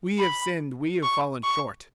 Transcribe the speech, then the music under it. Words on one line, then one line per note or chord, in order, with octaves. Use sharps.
We have sinned, we have fallen short.
B5
C#6
C#6